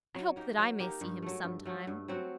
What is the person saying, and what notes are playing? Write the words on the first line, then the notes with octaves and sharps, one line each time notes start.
I hope that I may see him sometime.
F#3
A#3 D#4 G4
F#3
A#3 D#4 G4
G2
F#3 A3
G2
F#3 A3
G2
F#3 C4 F#4